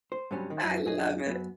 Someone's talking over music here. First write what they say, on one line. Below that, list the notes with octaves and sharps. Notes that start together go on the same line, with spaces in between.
I love it.
C5
G2 C3 F#3 G3 C#4
D#3
F#2
F#2 G#4 D#5
F#2 B3